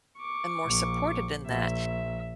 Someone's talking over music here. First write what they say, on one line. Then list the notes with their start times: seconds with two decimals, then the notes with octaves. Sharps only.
and more supported in that.
0.19 C#6 D6
0.65 A#1
1.47 A#1 E5